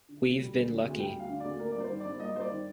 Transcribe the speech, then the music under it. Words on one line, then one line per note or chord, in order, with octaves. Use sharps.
We've been lucky.
D3
D2
G3
D2
D3
D2
G3 G5
D2
F5
D3
D2 D5
A#3 A#4
D5
G2
C5
D#3
D5
G2
A#3 D#5
G2 C5
D5
D#3